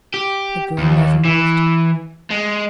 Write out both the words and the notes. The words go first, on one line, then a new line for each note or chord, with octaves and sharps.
The girl never moved.
G4
D#2
E3
G#3